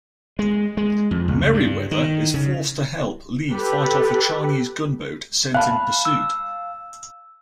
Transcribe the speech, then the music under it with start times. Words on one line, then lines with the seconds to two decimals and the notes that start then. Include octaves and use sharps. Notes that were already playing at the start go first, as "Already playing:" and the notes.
Merryweather is forced to help Lee fight off a Chinese gunboat sent in pursuit.
0.39 G#3
0.77 G#3
1.11 F2
1.28 C#2
1.53 G2
1.91 D#3
2.34 C#3
3.52 G4 A4 B4
5.54 F5 A5 B5 F#6
6.05 E6